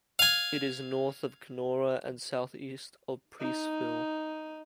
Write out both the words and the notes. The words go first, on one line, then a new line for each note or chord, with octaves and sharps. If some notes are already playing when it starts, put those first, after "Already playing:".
It is north of Canora and southeast of Preeceville.
F5 G#5
D#4